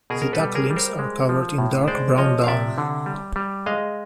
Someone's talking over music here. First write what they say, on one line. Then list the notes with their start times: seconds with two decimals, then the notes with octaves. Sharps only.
The ducklings are covered in dark brown down.
0.10 B2 G#4 A#4
0.22 A#4
0.33 A4 B4
0.39 G3
0.55 G#4 A#4
0.70 G3
0.76 A#4 C5
0.99 G#3
1.29 F3
1.58 A2
1.88 G#3 C5 D5
2.18 F3 C#5 D#5
2.44 F5
2.47 C3 D5 E5
2.78 D3
3.06 G3
3.36 G3
3.66 G#3 D#5 F5